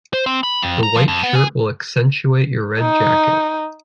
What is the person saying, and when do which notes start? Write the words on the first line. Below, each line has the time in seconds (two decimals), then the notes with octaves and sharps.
The white shirt will accentuate your red jacket.
0.13 C5
0.26 C4
0.43 B5
0.62 F2
0.83 A#5
0.94 F3
1.08 F2
1.23 B3
1.35 G#4
2.80 D#4